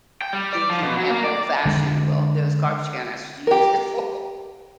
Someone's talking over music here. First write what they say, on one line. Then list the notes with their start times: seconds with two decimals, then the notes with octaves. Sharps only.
thinking, um, old fashioned, "Well, there's garbage can. That's what you use it for."
0.21 G5
0.33 G3
0.53 D5
0.69 F3
0.83 B2
0.97 F#3
1.11 A#3
1.24 D5
1.66 D3 G#3
3.47 G4 A#4